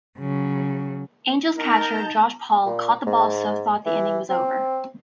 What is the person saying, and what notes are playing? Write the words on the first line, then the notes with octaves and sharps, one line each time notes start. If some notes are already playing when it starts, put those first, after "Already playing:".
Angels catcher Josh Paul caught the ball so thought the inning was over.
C#3 F#3
D#4 A#4 F#5 A5 A#5 G6
A#2
G#2
E3
C4